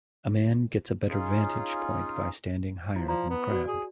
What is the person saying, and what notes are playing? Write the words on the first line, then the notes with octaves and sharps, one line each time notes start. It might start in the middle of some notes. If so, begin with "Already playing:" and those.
A man gets a better vantage point by standing higher than the crowd.
C#4 D#4 F4 G#4
F3 E4
F3 D5 A#5
B3
F#4 D5
G#4